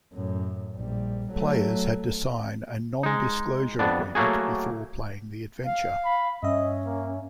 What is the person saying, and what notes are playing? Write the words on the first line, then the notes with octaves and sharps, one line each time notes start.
Players had to sign a non-disclosure agreement before playing the adventure.
F#2 A2
A#1 G3
F#3 A3
G#3 D#4
F2 B3 D4
F#3 A3 A#3 F#4 G#4
F5
B5
G2 C#4 D#5 E5
A#3